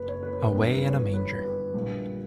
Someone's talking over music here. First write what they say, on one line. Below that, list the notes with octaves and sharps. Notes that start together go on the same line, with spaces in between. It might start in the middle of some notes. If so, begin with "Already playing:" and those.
Away in a Manger.
Already playing: F#1 F#2 C#3 B4
C#5
B4
A#4
G1 G2 E3 G3 B3
B4
C#5
B4
B4
B4
A#1 A#2 G3